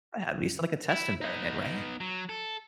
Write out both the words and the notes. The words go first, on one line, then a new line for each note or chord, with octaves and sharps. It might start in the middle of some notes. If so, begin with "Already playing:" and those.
At least, like, a test environment, right?
E4
B3 D#4
F#3
A4